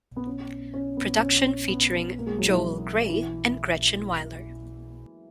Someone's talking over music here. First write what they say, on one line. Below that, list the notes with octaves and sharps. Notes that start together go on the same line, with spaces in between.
Production featuring Joel Grey and Gretchen Wyler.
B3
C#4
C#4
B3
C#4
B3
A#3
G#3
F#3
E3
E3